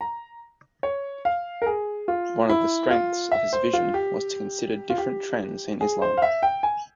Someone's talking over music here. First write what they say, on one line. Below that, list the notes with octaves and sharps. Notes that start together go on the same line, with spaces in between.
One of the strengths of his vision was to consider different trends in Islam.
A#5
C#5
F5
A#4
G#4
F4
E4
F4
E5
C5
F4
G4
F4
G4
G#4
C5
F5
E5
G5
G#5